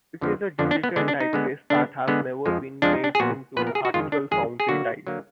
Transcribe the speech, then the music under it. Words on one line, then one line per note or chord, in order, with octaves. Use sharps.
It is a digital typeface that has never been made into actual foundry type.
F2 D3 F3 B3
F2 D3 F3 B3 D4
D4
B3
D3 G#3 B3 D4
D4
D#4
D3 G#3 B3
D3 G#3 B3 D4
D3 G#3 B3
F2 F3 G#3
F2 F3 G#3 D4
D#4
D4
G#4
A#2 F3 B3 F#4
A#2 F3 B3 B4
A#4
G#4
F#4
F2 D#3 G#3 F4
D4
F2 D#3 G#3 G#4
G#4
D3 F#3 A#3 F#4
D3 F#3 A#3